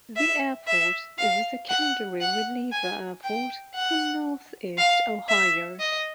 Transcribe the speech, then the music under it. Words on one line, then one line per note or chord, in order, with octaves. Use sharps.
The airport is a secondary "reliever" airport for Northeast Ohio.
E5
E5
F5
F#5
F#5
G#5
G5
F#5
F5
E5
D#5